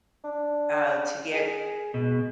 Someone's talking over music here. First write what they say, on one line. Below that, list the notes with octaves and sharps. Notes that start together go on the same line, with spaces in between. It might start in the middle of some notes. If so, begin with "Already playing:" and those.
uh, to get,
D4
G#4
B2 G#3